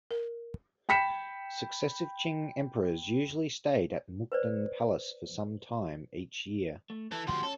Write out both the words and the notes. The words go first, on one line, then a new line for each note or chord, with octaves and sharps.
Successive Qing emperors usually stayed at Mukden Palace for some time each year.
A#4
G5 B5 B6 C#7 E7
B4 C5 D5
A3
E3 A4
D2 F3 F#4 G4 C6
C#4 A4